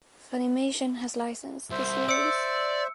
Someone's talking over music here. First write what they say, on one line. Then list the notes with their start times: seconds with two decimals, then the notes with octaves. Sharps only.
Funimation has licensed the series.
1.71 C2 C5 E5
2.09 D5 E6 C#7